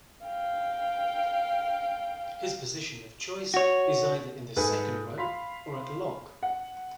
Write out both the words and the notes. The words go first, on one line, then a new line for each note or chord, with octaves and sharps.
His position of choice is either in the Second Row or at Lock.
F5 G5
F#4 C#5
G#2 A4 B4 G#5
F5 B5 C6 B6
F#5